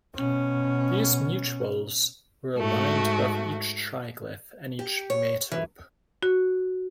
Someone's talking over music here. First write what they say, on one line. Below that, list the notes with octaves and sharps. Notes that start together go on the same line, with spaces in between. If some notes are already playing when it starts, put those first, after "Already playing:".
These mutules were aligned above each triglyph and each metope.
B2 C#4
G#2 A3 F#4
G4
C#5
E3
F#4